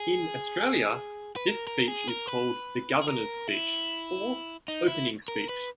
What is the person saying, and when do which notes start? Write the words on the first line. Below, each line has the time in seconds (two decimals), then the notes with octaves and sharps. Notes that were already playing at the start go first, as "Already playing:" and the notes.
In Australia, this speech is called the "Governor's speech" or "opening speech".
Already playing: G#4
1.36 B4
1.48 A#4
1.67 A#4
1.88 G#4
2.08 A#4
2.27 B4
3.01 G#4
3.08 A#4
3.48 E4
4.68 D#4
4.88 E4
5.28 A#4
5.49 B4